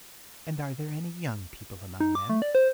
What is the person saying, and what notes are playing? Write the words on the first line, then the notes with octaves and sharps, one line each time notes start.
"And are there any young people among them?"
D#4
D6
A3
D5
C5